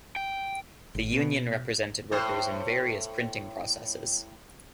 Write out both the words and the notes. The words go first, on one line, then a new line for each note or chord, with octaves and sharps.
The union represented workers in various printing processes.
G5
G#1
B2
A2 C5